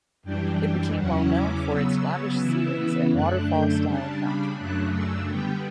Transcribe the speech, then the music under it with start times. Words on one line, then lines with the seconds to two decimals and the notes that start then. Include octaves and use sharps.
It became well known for its lavish ceilings and waterfall-style fountain.
0.23 F#2 E3 G3 D4 G5
0.96 E2 C#3 F#3 C#4 E4 F#5
1.32 D6
1.67 C#3 F#3 B3 E6
2.39 C#3 E3 B3 E4
3.12 F#2 D3 A3 D4 F#6
3.48 G6
3.83 C#3 G3 D4 A5
4.19 B5
4.55 F#2 C#3 F#3 A3 D4 F#6
4.91 E6
5.28 D3 G3 B3 G5